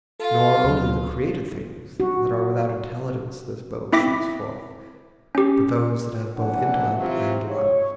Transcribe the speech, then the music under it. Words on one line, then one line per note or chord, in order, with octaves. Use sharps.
Nor only the created things that are Without intelligence this bow shoots forth, But those that have both intellect and love.
F4 A4 F5
D2 F#3
F#4
C4 E4 E5 D6 A#6 B6
C#4 G4
A#1 G#2 E3 D4 F#5
E3 F#3 C4 F4 G4 E5
C#5